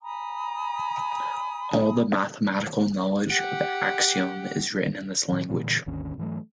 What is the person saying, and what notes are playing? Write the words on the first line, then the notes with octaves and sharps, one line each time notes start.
All the mathematical knowledge of Axiom is written in this language.
G#5 A#5 B5 D#6
G4 F#5
A2 D#3
A#2 D3 E3 G3
G#1 D#2 D3 C#4
G#2 E3 F#3 A3